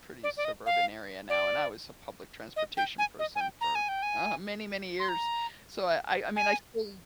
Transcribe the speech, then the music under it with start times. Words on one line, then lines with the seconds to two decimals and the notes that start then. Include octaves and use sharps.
pretty suburban area now and I was a public transportation person for, uh, many, many years. So I I I mean, I still
0.23 D5
0.37 D5
0.45 D#5
0.66 F5
1.30 D5
2.56 D#5
2.77 G5
2.98 G#5
3.19 D#5
3.35 G#5
3.41 G5
3.61 A#5
3.75 G#5
3.89 G5
4.03 G#5
5.00 C6
5.09 A#5
6.36 G#5